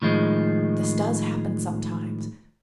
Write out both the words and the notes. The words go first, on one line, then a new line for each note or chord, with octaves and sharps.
This does happen sometimes.
A2 D#3 F3 G#3